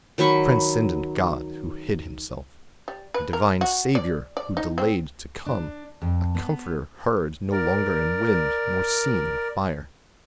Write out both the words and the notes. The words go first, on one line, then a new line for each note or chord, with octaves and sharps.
A Transcendent God Who hid Himself, a Divine Saviour Who delayed to come, a Comforter heard no longer in wind nor seen in fire!
D#3 F#3 B5 C#6
G3
B4
A#4
F#4
D5
D5
D#4
C4
D4
F2
B3
A#4 D5